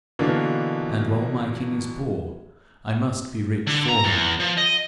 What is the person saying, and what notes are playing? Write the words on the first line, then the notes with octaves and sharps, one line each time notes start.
And while my king is poor, I must be rich for him.
B2 D3 E3 A#3 D4 F4
D3
A#5
E2
F3
D#5